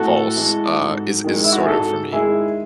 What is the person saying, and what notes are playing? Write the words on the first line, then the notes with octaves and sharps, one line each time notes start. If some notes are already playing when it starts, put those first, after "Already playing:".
false, uh, is is sort of, for me,
Already playing: A2 F#4 A4
E3 G#3
G#2
D#3 G#3
E4
F#4
G#4
G#2 F#4 A4
D#3 G#3 E4 G#4